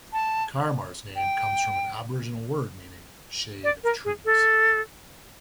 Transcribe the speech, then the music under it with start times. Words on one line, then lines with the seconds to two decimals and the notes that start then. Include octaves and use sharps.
Carramar's name comes from an aboriginal word meaning "shade of trees".
0.13 A5
1.16 G5
3.64 D5
3.84 A#4
4.05 G#4
4.25 A4